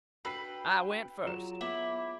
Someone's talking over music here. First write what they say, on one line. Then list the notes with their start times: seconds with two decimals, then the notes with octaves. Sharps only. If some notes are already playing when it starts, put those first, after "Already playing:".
I went first.
0.25 D4 F#4 B4 G5 E6 B6 C7
1.25 F#3 F4 G#4 C#5 A#5 E7
1.61 B3 E4 D6